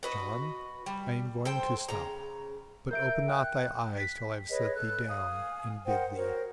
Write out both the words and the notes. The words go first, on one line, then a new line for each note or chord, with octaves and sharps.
'John, I am going to stop; but open not thy eyes till I have set thee down and bid thee.'
F#4 B4 D#5
G3
A4 C5 G5
C#3 A#5
A#4 E5 G6 D7
G5 F#6
B6
G#4 B4 C#5 D#5
A4 F#6
F5 G#5 D#6
A#4 C5 F#5 G5
F#4 A#4 C5 C#5